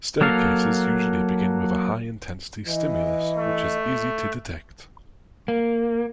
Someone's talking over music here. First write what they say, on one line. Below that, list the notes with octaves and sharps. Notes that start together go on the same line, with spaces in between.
Staircases usually begin with a high intensity stimulus, which is easy to detect.
F#3 A#3 A4 F5
E3 D#5
A3
A#3